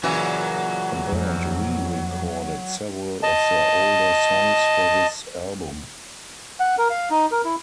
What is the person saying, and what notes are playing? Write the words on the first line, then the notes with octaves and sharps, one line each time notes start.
The band re-recorded several of their older songs for this album.
A#2 C#3 E3 F#3 F#4
F2
D#5 A5
F#5
A#4
F5
D#4
A#4
E4